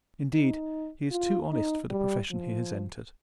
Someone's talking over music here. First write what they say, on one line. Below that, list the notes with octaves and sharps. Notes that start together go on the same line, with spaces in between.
Indeed, he is too honest for the profession he has entered.
D#4
F4
D#4
G3
F3